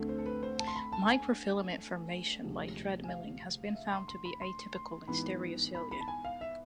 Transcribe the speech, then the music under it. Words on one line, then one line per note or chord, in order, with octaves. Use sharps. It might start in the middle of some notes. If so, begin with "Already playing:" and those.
Microfilament formation by treadmilling has been found to be atypical in stereocilia.
Already playing: D2 D3 A3 C4
C5
A4
B4
C5
A5
C6
B5
A5
G#5
D2 C3 F3 G#3
G#5
F5
E5
C6
C6
B5
C6
C6
G#2 E3 B3 B5
B5
B5
A5
G#5
F5
E5